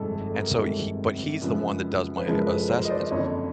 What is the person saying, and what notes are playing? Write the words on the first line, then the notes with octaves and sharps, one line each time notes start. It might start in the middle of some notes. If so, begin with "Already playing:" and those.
and so he but he's the one that does my assessments,
Already playing: G1 F2 C3 D#3 G#3 A4
A4
A4
A#4
G1 F2 C3 D#3 G#3 A4
F#2 C#3 F3 G#3 B3
B4
F#2 C#3 F3 G#3 B3 A#4
A4 B4
A#4 C5
D#5
C5 D5
F#1 F2 D3 C#5 D#5